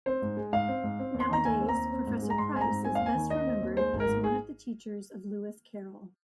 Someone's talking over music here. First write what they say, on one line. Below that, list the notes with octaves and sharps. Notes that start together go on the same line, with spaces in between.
Nowadays, Professor Price is best remembered as one of the teachers of Lewis Carroll.
C4 C5
G#2
G#3
G#2 F5
C4
G#2
C4
D#2
C6
D#3 A#5
D#2 G#5
C4
A#5
D#2
C4
G#2
G#3
A#5
G#2 C6
C4 G#5
A#5
G#2
C4 G#5
D#2 F5
G#5
D#3
D#2 D#5
C4
D#2
G#3 C5
G#1
A#4
G#2
G#4